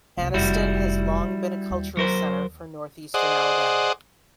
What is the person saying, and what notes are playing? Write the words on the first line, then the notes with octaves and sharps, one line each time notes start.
Anniston has long been a cultural center for northeastern Alabama.
C2 C4
F1 F2 G3 E4 F#4
D#2
F#3 A#4 C5
G#4 C5 D5 D#5 F#5